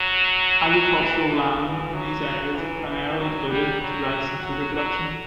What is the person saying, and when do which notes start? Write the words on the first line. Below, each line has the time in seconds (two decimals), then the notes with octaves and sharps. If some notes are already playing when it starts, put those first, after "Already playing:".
Agricultural land in these areas is primarily devoted to rice and sugar production.
Already playing: F#3
0.70 F#3
1.01 E3
1.32 D3
1.63 E3
1.94 F#3
2.56 E3
2.88 E3
3.18 F#3
3.49 G3
3.81 F#3
4.43 F#3
4.74 F#3